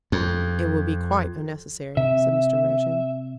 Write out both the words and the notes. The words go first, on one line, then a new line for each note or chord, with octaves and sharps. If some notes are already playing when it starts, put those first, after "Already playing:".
"It will be quite unnecessary," said Mr. Merton.
F2
C3 E5